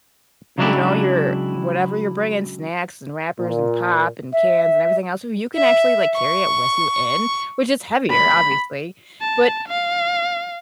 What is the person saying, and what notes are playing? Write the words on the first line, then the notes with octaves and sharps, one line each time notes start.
you know, your whatever you're bringing- snacks and wrappers and pop and cans and everything else- you can actually, like, carry it with you in, which is heavier, obviously. But
C#3 F#3 G#3 D4 E4 G4
A#2
E5
E5
C#6
B5
A5
F5